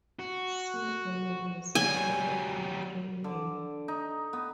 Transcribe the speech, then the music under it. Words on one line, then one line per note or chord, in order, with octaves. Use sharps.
See romanization of Ukrainian.
F#4
F#3 G3 G#5
D3
D#4
B3